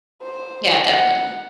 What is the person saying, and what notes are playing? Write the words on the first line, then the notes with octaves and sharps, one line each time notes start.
Yeah, definitely.
C5
F#5